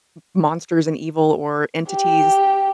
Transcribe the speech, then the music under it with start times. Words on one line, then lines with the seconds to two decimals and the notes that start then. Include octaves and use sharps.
m monsters and evil or entities,
1.91 G4